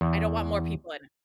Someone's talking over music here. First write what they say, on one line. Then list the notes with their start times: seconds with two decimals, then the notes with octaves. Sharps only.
I don't want more people in
0.01 E2